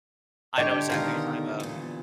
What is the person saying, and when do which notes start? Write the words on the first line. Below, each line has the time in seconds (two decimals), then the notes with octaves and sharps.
I know exactly what you're talking 'bout.
0.58 D3 G4 C#5 D#5
0.90 B2 D#3 F4 A#4
1.60 E2 A#2